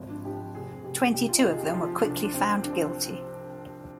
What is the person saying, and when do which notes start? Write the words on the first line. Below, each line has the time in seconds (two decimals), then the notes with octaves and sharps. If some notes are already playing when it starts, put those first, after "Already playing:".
Twenty-two of them were quickly found guilty.
Already playing: G#1 F3
0.09 D4
0.24 F3 G4
0.54 F1 G#4
0.84 F1 G4
1.14 C2 G4
1.29 F4
1.37 D#4
1.44 C3 F4
1.52 G#4
1.59 G4
1.74 F3 F4
2.03 C2 D4
2.23 D4
2.33 C3 C4
2.63 F3 D4
2.73 C4